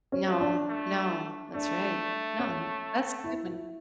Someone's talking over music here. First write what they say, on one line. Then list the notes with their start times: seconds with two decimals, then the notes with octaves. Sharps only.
No, no, that's right. No, that's a good one.
0.12 C#4
0.27 A3
0.41 D4
0.69 A3
1.55 A3 D4
2.39 C#4
3.24 E4